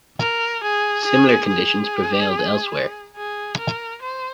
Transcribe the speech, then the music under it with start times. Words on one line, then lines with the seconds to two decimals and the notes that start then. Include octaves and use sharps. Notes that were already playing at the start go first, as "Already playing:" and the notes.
Similar conditions prevailed elsewhere.
0.20 A#4
0.63 G#4
1.05 G#4
1.47 G#4
3.16 G#4
3.59 A#4
4.01 C5